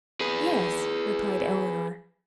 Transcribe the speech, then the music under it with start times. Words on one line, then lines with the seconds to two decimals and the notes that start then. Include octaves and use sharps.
"Yes," replied Eleanor.
0.21 G#4 B4